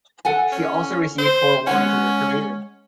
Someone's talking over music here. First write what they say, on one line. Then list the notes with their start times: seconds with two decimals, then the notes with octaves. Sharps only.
She also received four awards in her career.
0.25 A4 F#5 G#5
0.52 C#4
1.18 C5
1.67 G#3 C#4 C#5 F#5